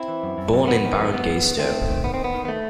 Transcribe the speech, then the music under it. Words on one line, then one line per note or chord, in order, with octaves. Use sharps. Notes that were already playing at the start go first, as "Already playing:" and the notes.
Born in Barangay Sto.
Already playing: C4 E4
E3
F#2
F#2
F#2
D#3 B3
D#3
F#2
A3
F#2 B3
D#3
D#3
D#2 A3 C4
D#3
D#3
D#3 B3
D#2 C4
B3
D#3
B3
A3